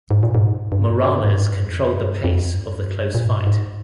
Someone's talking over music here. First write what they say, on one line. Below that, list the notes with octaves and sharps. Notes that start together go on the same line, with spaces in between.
Morales controlled the pace of the close fight.
G#2
A#2
G#2
G2
G#2
G2
G#2
G2
G#2
G2
F2
G2
F2
G2
F2
G2
A#2
G#2
G2
G#2